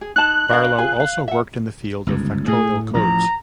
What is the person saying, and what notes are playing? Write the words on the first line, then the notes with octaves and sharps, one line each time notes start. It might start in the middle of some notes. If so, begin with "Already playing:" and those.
Barlow also worked in the field of factorial codes.
G#4
D#4 A5 F#6
D4 A#4 F5
F4 G#4 G#5
F5
E5 F#5
G1 C#2 G#2
A2 A3 G#4
A1 F3 A#5